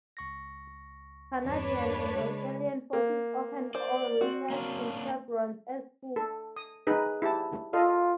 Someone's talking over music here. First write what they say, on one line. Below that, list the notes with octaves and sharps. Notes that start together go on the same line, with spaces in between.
Canadian and Australian Forces often refer to chevrons as "hooks".
C#2 C#6 A#6
E2 G2 D4 B4 C#5
C#3 G#3
A#3
C5 D5
C4 F#4
A#3 C#4 D4
A4
D#6
D#4 G#4 B4
E4 G4 A5
F4 A4 D#5 F5